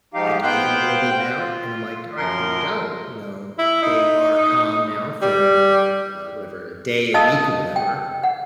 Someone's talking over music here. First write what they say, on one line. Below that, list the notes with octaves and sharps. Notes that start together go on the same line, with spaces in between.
I gave them a little bit of an out and I'm like, "Alright, here we go." You know, they are calm now for, uh, whatever, a day, a week or whatever,
G#2 F3 D#4 G4 F5
B3 C5 F5 G5 F#6 G6
F4
F#2 F3 A#4 C6
E4
D#4
G3
D#5 F5 A5 D#6 E6
G5
F#5